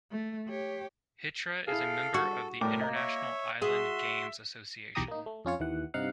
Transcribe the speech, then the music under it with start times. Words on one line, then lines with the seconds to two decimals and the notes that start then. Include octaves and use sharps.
Hitra is a member of the International Island Games Association.
0.11 A3
0.49 G4 C#5
1.68 E4 G#4 A4 F5
2.14 F#4
2.61 A2 G3 A#4 G5 D6
2.81 A#3 D#5 A#5
2.95 C#5 E5
3.62 F#4 G#4 E5 C6
4.95 B1 E2 G4 A#5 D#6
5.08 A#3 D#4
5.26 A3
5.45 F2 C#4 F4 C#5
5.60 D#2 E3 F#5
5.94 G2 C3 D#4 F5 F#5